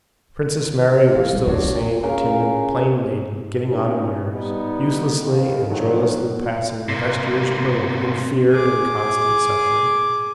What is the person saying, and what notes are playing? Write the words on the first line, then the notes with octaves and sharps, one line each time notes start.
Princess Mary was still the same timid, plain maiden getting on in years, uselessly and joylessly passing the best years of her life in fear and constant suffering.
F3 F5
A#1 G3
E2 D4 F#4 C#5
C#3
C#3 A#4 F5
G#2 C#3 G#3 C#4 D#4
G3 B3 D#4
A1 D#2
E2 G#2 D3 D#3 F3 F#3
C3 A#3
G#4 D6